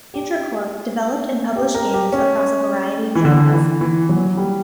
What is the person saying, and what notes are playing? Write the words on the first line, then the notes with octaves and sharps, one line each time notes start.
IntraCorp developed and published games across a variety of genres.
G4
G4
A#4
G4
C#4
E3
D3
E3
E3
F#3
G3